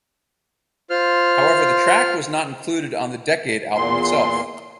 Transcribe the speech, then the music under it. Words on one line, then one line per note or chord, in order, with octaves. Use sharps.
However, the track was not included on the "Decade" album itself.
F4 C5 F6
E2 A#2 C6